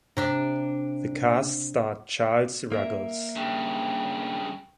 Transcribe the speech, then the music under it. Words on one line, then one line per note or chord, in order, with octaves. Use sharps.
The cast starred Charles Ruggles.
C3 D4 E5
A#3 A#4 E5
G2 C#3 G5